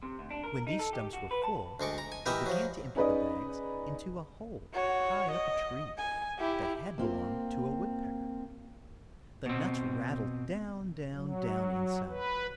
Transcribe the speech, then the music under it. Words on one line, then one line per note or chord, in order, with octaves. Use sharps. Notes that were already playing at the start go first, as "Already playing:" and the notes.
When these stumps were full, they began to empty the bags into a hole high up a tree, that had belonged to a woodpecker; the nuts rattled down--down--down inside.
C3
D2
D4
A#4
D#4
A4
G4
F#4
B4
A5
D2 G#3 C#6 D6
A#5
G#5
E3 G4 A#4 D#5 E5
F3 F#3
C#4 D#4 G#4 B4 D5 D#5
F#4 C#5
D#5
G#5
E4 G4
A#3 C4 F4
B2 C4
F#3
B4